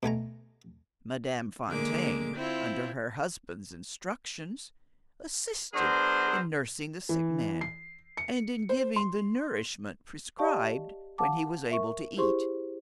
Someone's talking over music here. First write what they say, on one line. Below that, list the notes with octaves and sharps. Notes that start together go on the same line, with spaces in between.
Madame Fontaine, under her husband's instructions, assisted in nursing the sick man, and in giving the nourishment prescribed when he was able to eat.
B2 A3 G#5 A#5
D3 G#3 A#3 D6
C4 E4 F4
F#3 B3 D4 G#4 A#4 C5
E3
C7
C#7
C5
C6
G4 D5 D#5 F5 A5 C#6
F5 F#5 A5 D6
A#4 E5 C#6
E4 G4 G#4 C5 C6 C#6